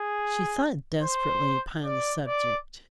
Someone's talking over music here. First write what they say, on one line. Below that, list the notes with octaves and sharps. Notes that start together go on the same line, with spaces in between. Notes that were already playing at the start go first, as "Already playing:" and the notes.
She thought desperately upon the subject.
Already playing: G#4
C5
D5
D5